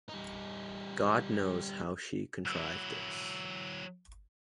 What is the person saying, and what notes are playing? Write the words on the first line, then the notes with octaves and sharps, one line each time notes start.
God knows how she contrived this.
G3 D#4
F#3 E4